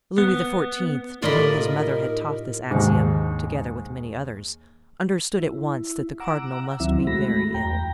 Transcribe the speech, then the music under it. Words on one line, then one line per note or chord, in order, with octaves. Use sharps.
Louis XIV., to whom his mother had taught this axiom, together with many others, understood at once that the cardinal must be very ill.
B3
A2 D#4 F4 G4 A#4 D5 D#5 B5
D#2 G#2
E4
F#5 A#5 D6 E6
D2 D#3 F#3 C4 E4 E5
G#3 A3 F#4 B5 A#6
E2 G5 A#5